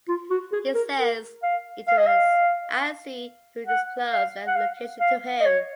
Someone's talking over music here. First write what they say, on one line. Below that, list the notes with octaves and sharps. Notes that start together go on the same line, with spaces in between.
He says it was Aasi who disclosed their location to him.
F4
F#4
G#4
A#4
A#4
F5
F5
D#5
F5
F#5
F5
F#5
F5
F5
D#5
C#5